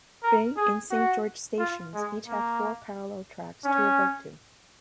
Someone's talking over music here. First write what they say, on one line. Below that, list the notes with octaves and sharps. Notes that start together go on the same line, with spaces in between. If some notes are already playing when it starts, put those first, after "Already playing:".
Bay and Saint George stations each have four parallel tracks, two above two.
A#4
G#4
F#4
F4
G#3
A#3
C#4